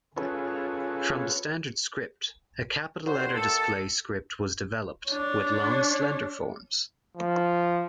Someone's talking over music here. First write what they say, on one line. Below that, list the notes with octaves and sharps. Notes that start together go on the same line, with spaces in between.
From the standard script, a capital-letter display script was developed, with long slender forms.
C#4 F4 G#4 A4 B4 C#5
D3 D#3 F#4 B4 C5
D#2 A4
D4 C#5
F3